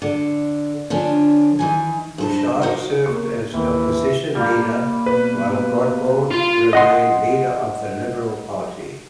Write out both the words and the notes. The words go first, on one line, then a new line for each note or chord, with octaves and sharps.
Bouchard served as opposition leader while Godbout remained leader of the Liberal Party.
D3
D3 F3 C#4 D4
D#3 E3 G#5
G2 C5 A5
D#4 F#4 A#4 C5
A#3 C#6
D#2 E3
G3 A#3
B2 B4
F4 C6
D#5 F#5 C6